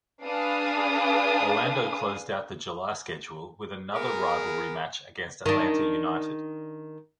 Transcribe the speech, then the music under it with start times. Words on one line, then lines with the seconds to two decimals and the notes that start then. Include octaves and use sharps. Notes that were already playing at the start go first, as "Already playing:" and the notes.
Orlando closed out the July schedule with another rivalry match against Atlanta United.
0.23 D4 G#4 B4 F5 D#6
3.93 B3 G#4 A#4
5.46 D#3 D4